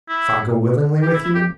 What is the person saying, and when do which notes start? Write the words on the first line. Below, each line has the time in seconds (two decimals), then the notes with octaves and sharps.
"If I go willingly with you?"
0.09 E4
1.03 G4
1.13 E4
1.24 E4
1.34 G4